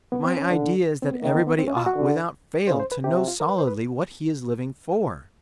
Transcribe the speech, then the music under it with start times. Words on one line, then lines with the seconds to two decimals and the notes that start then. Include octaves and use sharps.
But my idea is that everybody ought, without fail, to know solidly what he is living for.
0.12 B3
0.25 C4
0.37 C#4
0.50 D3 D4
1.03 C4
1.12 B3
1.22 D#3 A#3
1.35 B3
1.47 B3
1.59 C4
1.68 C#4
1.77 F4
1.86 F#4
1.95 D3
2.67 C#3 C5
2.80 C5
2.92 B4
3.04 C3 G4
3.16 F#4
3.28 F4
3.40 A#4
3.49 B4
3.58 C5
3.67 B4